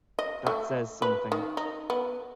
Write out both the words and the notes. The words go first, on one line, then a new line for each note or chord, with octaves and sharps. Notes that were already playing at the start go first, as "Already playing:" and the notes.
That says something.
D#5
A3
B4
D#3
D#4
B3